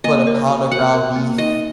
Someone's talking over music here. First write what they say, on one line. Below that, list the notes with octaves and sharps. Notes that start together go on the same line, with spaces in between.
put a pound of ground beef
A#3 D#5
A#4
F#4
F#4 F#5
A#4
A#3
D#4 D#5